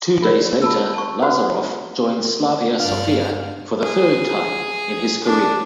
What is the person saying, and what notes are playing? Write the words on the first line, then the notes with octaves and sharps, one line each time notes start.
Two days later, Lazarov joined Slavia Sofia for the third time in his career.
F4 A#4 C#5 D5
F4 A5 E6
A5 C#6
F#4 B4 C5 F#5
G2 D4 F5 F6
G#4
D4